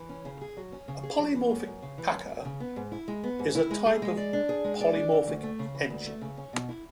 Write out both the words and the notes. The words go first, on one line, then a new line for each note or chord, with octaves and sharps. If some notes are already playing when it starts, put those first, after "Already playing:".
A polymorphic packer is a type of polymorphic engine.
Already playing: E3
C#4
C#3
G#4
F#3
C#4
C#3
G#4
F#3
E3
F#2
F#2
C#3
E3
F#2
F#2
C#3
B3
G#2
E4
G#3
B3
G#2
E4
G#3
G#4
G#3
D5
D4
G#4
G#3
D5
D4
E3
D2
A3
C#3
E3
D2
A3
C#3
C#4
B2
E4